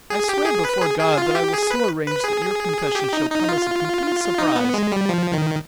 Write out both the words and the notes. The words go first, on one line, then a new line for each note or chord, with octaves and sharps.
I swear before God that I will so arrange that your confession shall come as a complete surprise.
G#4
G4
G#4
B4
G#4
G#4
F4
G4
G#4
B4
B4
G#4
G4
D#4
D#4
F4
D#4
B3
G#3
G3
F3
D#3